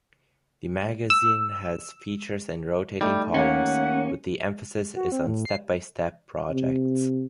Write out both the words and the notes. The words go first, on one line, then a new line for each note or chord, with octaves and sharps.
The magazine has features and rotating columns, but the emphasis is on step-by-step projects.
E6
G3 A3 D#4
D#2 A#3 C#4 F#5
F#4
C4
A2
C7
C3